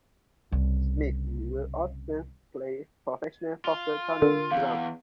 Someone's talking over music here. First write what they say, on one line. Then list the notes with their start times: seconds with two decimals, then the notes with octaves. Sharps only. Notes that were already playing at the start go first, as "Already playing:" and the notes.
Smith would often play professional poker tournaments drunk.
0.52 C2 C#3
3.65 F4
4.22 D3 A#4
4.51 E2 F5